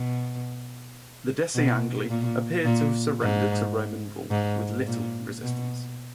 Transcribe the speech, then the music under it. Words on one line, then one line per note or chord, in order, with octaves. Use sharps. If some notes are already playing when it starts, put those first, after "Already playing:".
The Deceangli appear to have surrendered to Roman rule with little resistance.
Already playing: B2
B2
A#2
A#2
G#2
G#2
A#2
B2